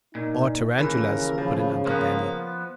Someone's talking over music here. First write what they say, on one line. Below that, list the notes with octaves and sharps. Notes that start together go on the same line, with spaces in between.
"Or tarantulas," put in Uncle Daniel.
A#2 D#4
D#2 C#3 E3 A#4
F3
F3 A#3 B3